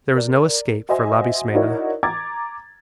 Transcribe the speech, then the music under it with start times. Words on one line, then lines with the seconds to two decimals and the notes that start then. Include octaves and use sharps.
There was no escape for Labismena.
0.15 A#4 D5
0.89 F#4 C5 D#5 E5 G#5 C6
1.54 D#4 E4 F#4 A#4 C#5 D5
2.03 A#5 D6 G#6 A6